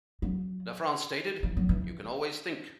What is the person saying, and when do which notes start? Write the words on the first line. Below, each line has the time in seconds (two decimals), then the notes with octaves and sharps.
LaFrance stated, You can always think.
0.22 F#3
1.43 E3
1.57 F#3
1.69 E3